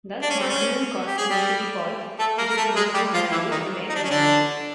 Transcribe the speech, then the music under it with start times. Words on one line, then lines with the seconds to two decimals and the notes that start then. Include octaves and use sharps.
Thus marginal cost initially falls, reaches a minimum value and then increases.
0.22 D4
0.30 C#4
0.40 C4
0.49 C#4
1.07 G4
1.17 G#4
1.29 G3 G4
2.19 A3 A4
2.38 A#3 A#4
2.49 A#4
2.57 A3 A4
2.76 G#3 G#4
2.94 G3 G4
3.13 F3 F4
3.32 E3 E4
3.51 D#3 D#4
3.89 D#4
3.96 D4
4.04 C#4
4.10 D3 D4